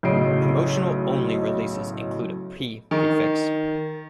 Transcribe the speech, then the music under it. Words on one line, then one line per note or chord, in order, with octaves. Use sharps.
Promotional-only releases include a "P" prefix.
B1 A2 C#3 D#5 C7 D7
D#3